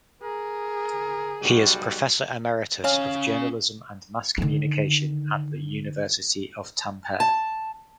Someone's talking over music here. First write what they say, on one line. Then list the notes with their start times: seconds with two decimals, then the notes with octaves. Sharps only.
He is Professor Emeritus of Journalism and Mass Communication at the University of Tampere.
0.22 G#4 A#4
1.41 B1 G3 F#4
2.84 C#4 C#5 F5 G#5 F6
4.38 D3 D#3
7.20 A5